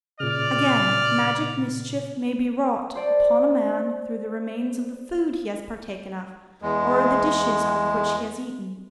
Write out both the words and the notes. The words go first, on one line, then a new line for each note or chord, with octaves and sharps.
AGAIN, magic mischief may be wrought upon a man through the remains of the food he has partaken of, or the dishes out of which he has eaten.
A#2 C#3 D5 F6
C5 D5 A5
E2 G#3